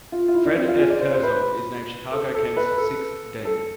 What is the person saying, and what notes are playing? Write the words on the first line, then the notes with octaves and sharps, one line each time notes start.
Fred F. Herzog is named Chicago-Kent's sixth dean.
F4
F4
E4
D4
C4
F4
G#4
D5
C5
C5
B4
A4
A4
B4
A4
A4